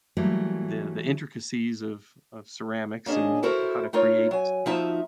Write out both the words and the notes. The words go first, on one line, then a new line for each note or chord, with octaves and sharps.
the the intricacies of of ceramics and how to create,
E3 F#3 G3 A3 A#3
A#3 C#4 D4 G#4 D#5
E4 F#4 A4 A#4 C5
A3 D#4 F4 A#4 C#5
F#3 G#5
F3 A#3 D#4 F#4 E5 A5